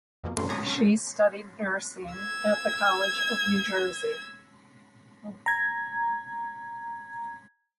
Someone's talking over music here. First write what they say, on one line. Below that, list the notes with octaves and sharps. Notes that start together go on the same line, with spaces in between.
She studied nursing at The College of New Jersey.
F2 B2 F3 A#3
F#2 G3 A3 A#3 F4 C6
A#5 D6 D#6 G#6 A#6
C#4
E6 G#6
A#5 G#6